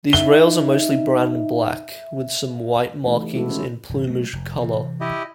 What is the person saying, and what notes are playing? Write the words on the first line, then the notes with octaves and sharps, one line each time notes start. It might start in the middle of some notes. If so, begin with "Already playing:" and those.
These rails are mostly brown and black with some white markings in plumage colour.
D#4 E5 G7
E3 A3 D#4
G4
G#3 E4 F#4 A4
D#3 C#4 C5
E1 G#2
F#3 A3 C4
F1
C3 E3
E4 G4 D#5